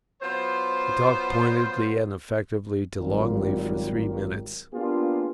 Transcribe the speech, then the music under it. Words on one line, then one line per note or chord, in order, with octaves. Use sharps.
He talked pointedly and effectively to Longley for three minutes.
F#3 B3 F4 C5
G#1 F#3 G3 F4 G4 A#4
A#3 B3 D4 F4 G4 G#4